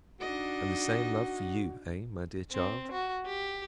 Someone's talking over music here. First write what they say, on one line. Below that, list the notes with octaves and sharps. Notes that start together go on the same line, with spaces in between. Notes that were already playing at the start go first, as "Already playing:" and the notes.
"And the same love for you--eh, my dear child?"
D4 D#4 F#4 D#5
C4
F#4
G4